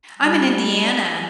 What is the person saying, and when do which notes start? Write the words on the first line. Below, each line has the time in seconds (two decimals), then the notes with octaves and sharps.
I'm in Indiana.
0.19 G3